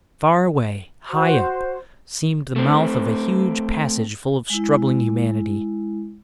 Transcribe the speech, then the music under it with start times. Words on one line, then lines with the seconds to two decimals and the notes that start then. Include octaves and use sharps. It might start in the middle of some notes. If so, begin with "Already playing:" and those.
Far away, high up, seemed the mouth of a huge passage full of struggling humanity.
1.09 F#4 C5
2.56 A3 C4
4.50 G#3 E4